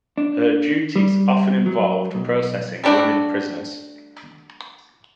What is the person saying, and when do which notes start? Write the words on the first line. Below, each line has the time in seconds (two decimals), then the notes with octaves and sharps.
Her duties often involved processing women prisoners.
0.18 D4
0.96 G3
1.66 F#3
2.15 B1
2.84 G3 A3 D4 F#4